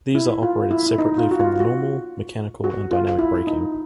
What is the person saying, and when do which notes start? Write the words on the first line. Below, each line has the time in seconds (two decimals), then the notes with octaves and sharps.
These are operated separately from the normal mechanical and dynamic braking.
0.15 E4
0.43 F4
0.71 E4
0.86 E4
0.98 D#4
1.18 F4
1.31 F#4
1.40 F4
1.60 F#4
2.64 F#4
2.91 F4
3.19 E4
3.47 D#4